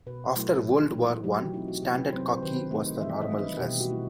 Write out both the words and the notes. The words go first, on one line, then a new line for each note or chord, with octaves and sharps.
After World War One standard khaki was the normal dress.
B2 B4
F#3 A3 E4
E3
A3 D#4
F#3 G4
F#4
C4 D#4 E4
F#4
C3 G4
B4
F#3 C4 C5
C5
D#3 B4
C5
A3 D#4 C5
C5
E3 E5
D#5
G3 D#4
B4
B2 G4
F#4
A3 E4